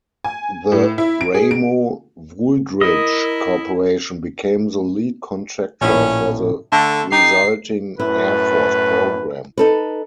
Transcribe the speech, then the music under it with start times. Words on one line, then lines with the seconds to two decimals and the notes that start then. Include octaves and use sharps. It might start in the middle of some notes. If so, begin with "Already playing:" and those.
The Ramo-Wooldridge Corporation became the lead contractor for the resulting Air Force program.
0.24 G#5
0.72 A2
0.98 E4
1.21 D7
1.34 G#4
1.51 D7
2.81 E4 A#4 D#5
5.82 A#1 A2 C#4 E5
6.72 D3 A3
7.12 D#4 G4 C7
8.00 F#2 A2 E4 B4
9.58 D#4 A4 B4